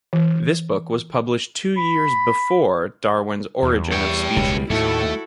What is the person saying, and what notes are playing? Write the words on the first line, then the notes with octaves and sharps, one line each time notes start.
This book was published two years "before" Darwin's "Origin of Species".
E3
B5
E2
G3 C#5 G5
E1 C#2 B2
D#2 A2 A3 E4 F#4 A4